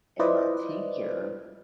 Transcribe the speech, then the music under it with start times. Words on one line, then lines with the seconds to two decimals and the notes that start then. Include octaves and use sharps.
and my teacher
0.19 E4 F4 B4 C5 D5 D#5